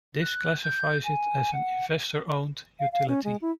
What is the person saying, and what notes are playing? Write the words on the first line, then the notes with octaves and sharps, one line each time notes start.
This classifies it as an investor-owned utility.
F#6
G6
G#5
F#5
F5
F5
C#4
G#3
E4